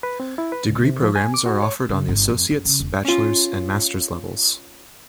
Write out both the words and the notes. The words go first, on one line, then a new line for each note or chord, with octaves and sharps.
Degree programs are offered on the associate's, bachelor's, and master's levels.
B4
C4
E4
B4
C#2
C3
F3
G#5
D6
F#4
C#5
C#3
G1
F2
F#2
C#3
E1
C#4 F4